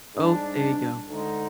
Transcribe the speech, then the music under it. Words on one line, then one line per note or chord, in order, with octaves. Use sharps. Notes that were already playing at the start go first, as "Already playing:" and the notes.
Oh, there you go.
G#2 G3 D4
D2 D3 G#3 D#4